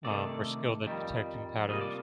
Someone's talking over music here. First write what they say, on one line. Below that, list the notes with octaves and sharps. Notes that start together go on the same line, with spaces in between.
Um, we're skilled at detecting patterns,
C3 D#3 A3 D5
F2 D#3 G3
C3 G3 A#3 F4 D#5
D5